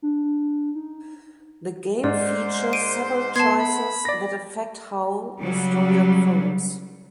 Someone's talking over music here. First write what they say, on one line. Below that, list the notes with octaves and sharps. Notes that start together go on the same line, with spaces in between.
The game features several choices that affect how the story unfolds.
D4
D#4
G#2 C5 D5
D7 D#7
B3 A5 C6 G#6
B5
D5 A#6
C#3 F#3 G3